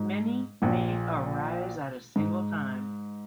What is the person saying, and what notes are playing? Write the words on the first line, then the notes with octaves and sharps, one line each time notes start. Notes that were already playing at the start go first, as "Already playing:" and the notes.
Many may arise at a single time.
Already playing: G#2
A#1 A#2
G#2